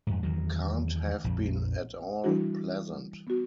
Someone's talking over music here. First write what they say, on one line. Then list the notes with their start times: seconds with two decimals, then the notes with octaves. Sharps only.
Can't have been at all pleasant.
0.07 F2 G#2
0.23 E2 D#3 F#3
1.24 A#1 F2
2.24 E3 G3 D4 E4 F#4
3.27 B3 F#4